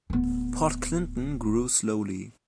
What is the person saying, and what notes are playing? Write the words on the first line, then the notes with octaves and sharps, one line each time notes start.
Port Clinton grew slowly.
D1 B3